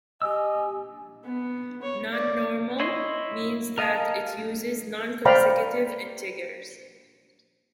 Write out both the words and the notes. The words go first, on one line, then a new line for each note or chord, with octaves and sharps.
Non-normal means that it uses non-consecutive integers.
G4 D#5 G#5 E6
B3
C#5
D5
E4 C#5 D#5 C6
A#4 D#5 F5 A5
C5 D5 F5 G5 A#5 B5